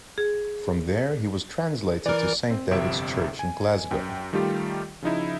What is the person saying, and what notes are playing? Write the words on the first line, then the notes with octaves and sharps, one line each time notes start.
From there he was translated to Saint David's Church in Glasgow.
G#4
E3 A#4 D5
C4
G1 F2 C3 E5 D7
G#5
F#2 G5
D#3 G3 A3 F4 G4
C#3 F3 D#4 E4